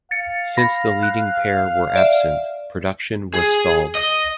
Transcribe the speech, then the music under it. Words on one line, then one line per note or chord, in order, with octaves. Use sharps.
Since the leading pair were absent, production was stalled.
F5 A6 C#7
B5 A#6
F#6
D5 E5
G#4
D#5